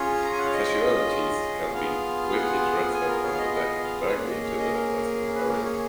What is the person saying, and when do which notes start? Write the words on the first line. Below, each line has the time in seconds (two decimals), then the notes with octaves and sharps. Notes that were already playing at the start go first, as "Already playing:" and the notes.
Casualties can be quickly transferred from the deck directly into the assessment area.
Already playing: C#4 F4 G#4 C#5
0.24 A#5
0.32 G#5
0.38 F#5
0.46 F5
0.53 D#5
1.73 B3 F4 G#4 F5
2.29 F5
2.34 F#5
2.94 G#5
3.08 A#4
3.24 C#5
3.34 F5
3.38 D#5
3.54 D#5
3.84 F5
4.06 G#5
4.14 A#3 C#4 G#4 F#5
4.29 D#5
4.44 F5
4.59 D#5
4.74 A#4
5.34 B4
5.50 A#4
5.64 C#5